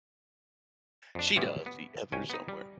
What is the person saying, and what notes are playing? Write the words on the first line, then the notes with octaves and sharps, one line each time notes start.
She does see out there somewhere.
F2 D4
A2 D3 E3 G3 B3 E4
B3
C2 C#4 G5 G#5
B3 D#4
G3